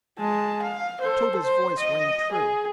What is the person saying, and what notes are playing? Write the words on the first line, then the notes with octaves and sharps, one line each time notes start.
Tode's voice rang true.
G#3 A5
F5
A4 C5
C5
D#5
G#4